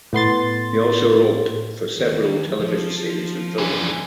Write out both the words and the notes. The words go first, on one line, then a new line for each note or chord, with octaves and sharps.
He also wrote for several television series and films.
A2 B3 C6 A6
D#2
F3
D3 E3